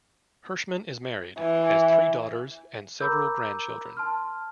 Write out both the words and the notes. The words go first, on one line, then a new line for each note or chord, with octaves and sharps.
Hirshman is married, has three daughters and several grandchildren.
E3
A#4 A#5 B5 D6 E6 G6
A5 C6 F6